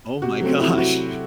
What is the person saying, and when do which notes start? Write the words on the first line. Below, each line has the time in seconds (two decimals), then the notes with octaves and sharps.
Oh my gosh.
0.22 C3 F#4
0.40 F#3 A3 C4
0.59 C3 E4
0.74 E4
0.78 F#3 F#4